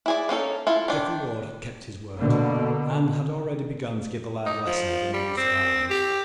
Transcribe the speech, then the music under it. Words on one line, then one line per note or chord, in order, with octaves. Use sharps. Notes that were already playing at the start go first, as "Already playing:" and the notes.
Geoffrey Ward had kept his word, and had already begun to give the lad lessons in the use of arms.
E4 G#4 D5
A#3 C#4 D#4 A4
E4 F4 A4
D#3 D4
B2 D3 A#3
D#4
F3
G3
C4
G4